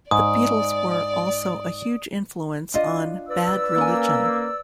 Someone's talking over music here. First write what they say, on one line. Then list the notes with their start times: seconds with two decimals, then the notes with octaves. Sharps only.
The Beatles were also a huge influence on Bad Religion.
0.11 G#2 D5 D#6
2.74 D4 F4 D#5
3.28 B4 D5 E6
3.78 A#3 C#4 G#5